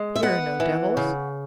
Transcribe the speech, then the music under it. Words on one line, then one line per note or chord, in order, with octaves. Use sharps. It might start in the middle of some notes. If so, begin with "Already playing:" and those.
Here are no devils.
Already playing: G#3
E5
B3 F#5
E3
C#3